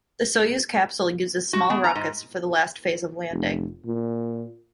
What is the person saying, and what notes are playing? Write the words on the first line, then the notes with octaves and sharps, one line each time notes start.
The Soyuz capsule uses small rockets for the last phase of landing.
F#4
B3
A#5
G#2
F1
A#2